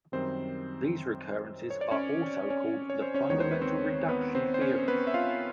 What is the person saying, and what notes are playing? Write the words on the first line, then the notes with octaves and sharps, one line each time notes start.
These recurrences are also called the Fundamental Reduction Theorem.
F#2 D#3 G3 C4 C5
C#5
D5
C#4 C#5
C#4 C#5
C#5
C5
C#4 C#5
D#2 D#3 G#3 B3 C#5
C5
B4
C4 C5
B3 B4
C4 C5
C5
C#4 C#5
B3 B4
E5
F4 F5